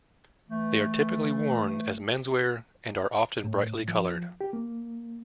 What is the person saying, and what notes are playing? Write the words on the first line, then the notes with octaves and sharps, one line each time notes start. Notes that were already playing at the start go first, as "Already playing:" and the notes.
They are typically worn as menswear and are often brightly colored.
E3 A3
A2
F3
G4
A#3